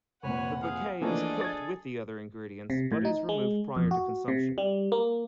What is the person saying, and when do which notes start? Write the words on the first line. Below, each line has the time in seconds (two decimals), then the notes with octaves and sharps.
The bouquet is cooked with the other ingredients, but is removed prior to consumption.
0.23 F1 A#2 B4 C#5 F#5 G#5
0.62 G#4 F5
1.02 E3 F3 A3 A#3 D4 G#4 A4 D#5
1.41 G#6 A6
2.70 C3
2.92 A2
3.05 D#4
3.29 G#3
3.76 F2
3.91 F#4
4.28 C3
4.58 G3
4.92 A#3